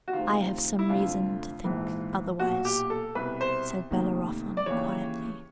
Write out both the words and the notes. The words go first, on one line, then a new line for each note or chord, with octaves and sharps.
"I have some reason to think otherwise," said Bellerophon, quietly.
F#4
D2 C3 D#3 F4
E4
F1 F2 D3 F4
A#1 G#2 E3
B1 A#2 F#4
G4
A4
C2 B2 B4
C5
F1 D#2 D#3
D5
D#2 C#3 E3 C#5